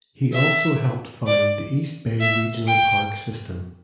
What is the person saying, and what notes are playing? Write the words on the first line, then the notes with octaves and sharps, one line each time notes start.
He also helped found the East Bay Regional Park system.
E5
D5
E5
G5